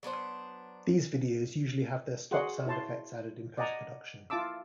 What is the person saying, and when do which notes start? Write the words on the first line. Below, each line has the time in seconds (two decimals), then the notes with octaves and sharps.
These videos usually have their stock sound effects added in post-production.
0.03 F#3 B3 D4 C5
2.31 F#4 G#4 F#5 C6
2.66 E4 C#5 A5 C6
3.57 D5 D#5 F#5 G#5 A#5
4.30 E4 F4 E5 A5 D6 E6